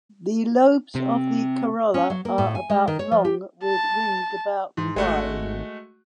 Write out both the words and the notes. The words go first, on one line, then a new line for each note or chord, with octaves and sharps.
The lobes of the corolla are about long with wings about wide.
C3
C#4
F#3
A#3
A2
G#5
G#3
D#3
C#5
F3
G4
A5
G#2 E3
G#1 G#3 A3 F#4